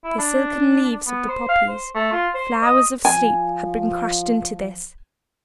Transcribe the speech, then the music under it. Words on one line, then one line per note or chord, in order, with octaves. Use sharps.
The silken leaves of the poppies--flowers of sleep--had been crushed into this.
E4
D4
B3
C5
F5
C5
A3
F4
C5
D#5
F3 G#5